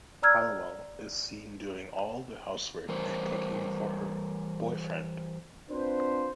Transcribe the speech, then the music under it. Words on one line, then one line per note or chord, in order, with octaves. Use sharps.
Halliwell is seen doing all the housework and cooking for her 'boyfriend'.
D5 A#5 E6 F6 G#6
E3 G3 A#4 C5
C4 D4 F4 B4 C5